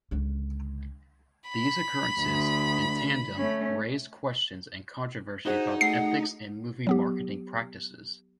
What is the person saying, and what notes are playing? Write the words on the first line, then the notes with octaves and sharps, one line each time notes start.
These occurrences, in tandem, raised questions and controversy about ethics in movie marketing practices.
C#2 D3
B5
D2
A3 C#4
D#4 F#4 G#4 C5 F#5
A3 F#5 C7
F#3 B3 G4